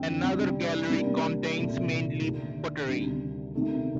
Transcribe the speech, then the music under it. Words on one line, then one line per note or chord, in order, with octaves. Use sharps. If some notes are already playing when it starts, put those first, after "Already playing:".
Another gallery contains mainly pottery.
Already playing: F2 D3 A3 C4
C3 G3 D4
C3 G3 A#3 D4
C2 A#2 A3 C4
D#2 D3 A3 D4
D2 C3 D#3 G3
C3 D#3 A3 D#4